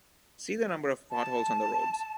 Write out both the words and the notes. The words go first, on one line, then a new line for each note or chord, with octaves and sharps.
See the number of potholes on the roads.
A5